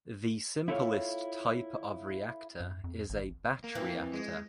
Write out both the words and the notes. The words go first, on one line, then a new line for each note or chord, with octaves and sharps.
The simplest type of reactor is a batch reactor.
E4 F4 A4 B4 C#5 F5
F#2
F2
G#1
A#3
F2 E3
G#3